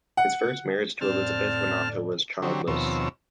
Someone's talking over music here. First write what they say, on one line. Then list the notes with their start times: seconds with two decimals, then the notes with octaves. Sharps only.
His first marriage to Elisabeth Renata was childless.
0.17 F#5
1.01 F2 A2 D3 C4 D5 A5 F6
2.42 D3 F#3 C4 G4 C#5
2.67 D#2 B2 F3 C4 C#5 E6